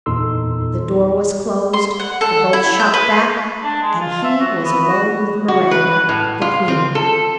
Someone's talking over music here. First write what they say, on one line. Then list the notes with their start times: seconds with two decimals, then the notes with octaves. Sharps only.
The door was closed; the bolts shot back!--and he was alone with Miranda, the queen.
0.06 E2 A#2 D#4 A4 C6 E6
1.73 C6
2.00 F#5
2.21 A4
2.53 E4
2.80 G6
2.93 B4
3.63 D4
3.82 G#3
4.00 F4
4.24 E5
4.40 F#4
4.65 B3
4.89 F#4
5.48 F#4
5.71 B4
6.09 A2
6.42 F4
6.68 C4
6.95 A4